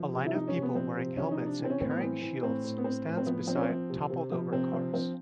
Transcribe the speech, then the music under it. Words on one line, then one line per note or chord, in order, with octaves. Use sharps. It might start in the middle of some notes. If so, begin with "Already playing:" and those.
A line of people wearing helmets and carrying shields stands beside toppled over cars.
Already playing: F3
C3
E4
F3 D#4
C#4
C3
B3
F3 C4
C3
F3 C#4
D#4
C3
D4
E3 C4
C#4
A2 C4
B3
E3 C4
E3
A2 C4
A2
B3
A2 C4
A2
C4
F3 B3
F3 C4
C#4
C4
F3
C3
C3
F3
C3 C4
F3
F3 C4